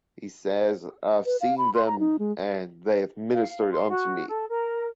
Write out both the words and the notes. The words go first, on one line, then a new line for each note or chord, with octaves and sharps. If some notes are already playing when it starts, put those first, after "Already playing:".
He says I have seen them, and they have ministered unto me.
B4
F5
B5
C6
A#5
D#4
G#3
F5
C6
F#4
A4
A#4